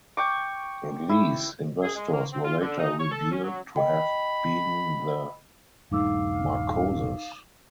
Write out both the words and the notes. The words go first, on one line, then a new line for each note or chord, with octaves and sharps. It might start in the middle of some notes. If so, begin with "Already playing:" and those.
These investors were later revealed to have been the Marcoses.
G5 C#6 D6
E4
G#4
G#3
A#3
C4
F4
D3
D#4
C#5
A4
C#4
F#3
D#5 G5 B5
D#1 G2 A3 D#4 F5 D6 E6